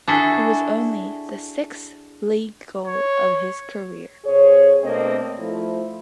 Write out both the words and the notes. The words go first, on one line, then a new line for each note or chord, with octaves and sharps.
It was only the sixth league-goal of his career.
D4 E4 F#4 G#4 A4
C#5
C3 G#4 C5 C#5
B2 A3 A#3 C4 D4 D#5
F3 A3 E4